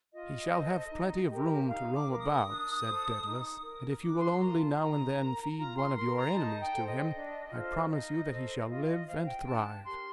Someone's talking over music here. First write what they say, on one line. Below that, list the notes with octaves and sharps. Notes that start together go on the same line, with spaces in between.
"He shall have plenty of room to roam about," said Daedalus; "and if you will only now and then feed one of your enemies to him, I promise you that he shall live and thrive."
F4 D#5
A4 C5
D#4
G4 A#4
D#4 F5
D6
A#4 D6
D#6
D4
A4 C5
D#4
A#4
D4 D6
C6
F4 A#4 A#5
A5
C6
D#4 A#5
A#4
F4 A#5
C6
A#4 C6
A#5
D#4 A5
G5
A4 C5
D#5
D4
F4 A4 C5
D#4 D#5
A4 C5
F4 D#5
F5
D#5
C5 F5
G5
D4 A5
G4 A#4 C6